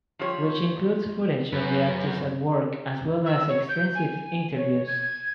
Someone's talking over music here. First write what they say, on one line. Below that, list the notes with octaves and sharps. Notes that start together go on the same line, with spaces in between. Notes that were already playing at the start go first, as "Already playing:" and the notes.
Which includes footage of the artist at work as well as extensive interviews.
F3 G3 C#5
F#2 B4
E6
C#5
G6
G#5
C#5
G#6